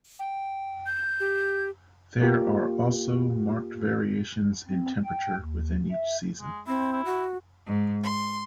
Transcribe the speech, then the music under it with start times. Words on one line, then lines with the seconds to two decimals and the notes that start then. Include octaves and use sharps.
There are also marked variations in temperature within each season.
0.19 G5
0.86 G6
1.20 G4
2.22 A#3 F4 G4
4.67 C4
5.05 G5
5.37 D#2
5.91 E5
6.41 G#3
6.67 C4 E4
6.93 E4
7.05 F#4
7.65 G#2
8.03 C6